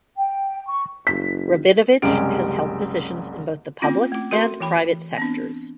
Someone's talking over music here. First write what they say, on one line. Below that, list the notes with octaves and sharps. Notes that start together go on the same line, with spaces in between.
Rabinovitch has held positions in both the public and private sectors.
G5
C#6
F#1 B6
F#1 C2 G#3 C#4 G4 D7
A#3 C4 C#4 E4 F4
A3 E4
F#4 A4 A#4 E5 C6
E3 E4 G5 B5
B3 C4 D4